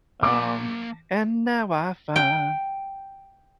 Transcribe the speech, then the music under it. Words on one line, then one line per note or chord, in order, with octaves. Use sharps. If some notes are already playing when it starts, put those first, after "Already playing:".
Um, And now I find,
A#3 A5 D6
G5